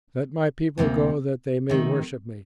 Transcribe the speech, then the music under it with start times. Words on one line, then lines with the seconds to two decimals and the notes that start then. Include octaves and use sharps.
Let my people go that they may worship me.
0.78 D2 C3 G3 A#3
1.69 C3 D#3 A3